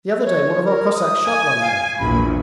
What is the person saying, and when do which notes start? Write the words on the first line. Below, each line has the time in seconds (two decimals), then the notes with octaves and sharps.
The other day one of our Cossacks shot one there.
0.24 C#5
0.65 A#4
0.94 D#6
1.26 G#5
1.60 F5
1.99 A#1 E2 B5